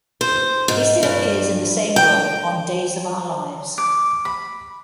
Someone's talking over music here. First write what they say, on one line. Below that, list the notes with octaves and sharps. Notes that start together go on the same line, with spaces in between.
He still appears in the same role on "Days of Our Lives".
C5
G#2
G2
G5
D6
B5